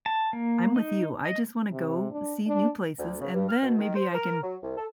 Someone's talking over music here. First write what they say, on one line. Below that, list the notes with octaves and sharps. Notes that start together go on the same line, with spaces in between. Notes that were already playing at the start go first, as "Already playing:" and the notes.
I'm with you, I just wanna go see new places, and then maybe I can,
A5
A#3
D#4
D#5
C3
D4
D4
D2
C#3
G2
F6
B2
D#3
C5
A#4
F#3
C2
A4